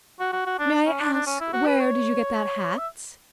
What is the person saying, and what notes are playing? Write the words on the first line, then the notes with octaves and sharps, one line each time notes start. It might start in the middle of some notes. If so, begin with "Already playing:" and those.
"May I ask where did you get that hat?"
F#4
F#4
F#4
D4
C#4
D4
D4
C#4
E4
F#4
B4
C#5
E5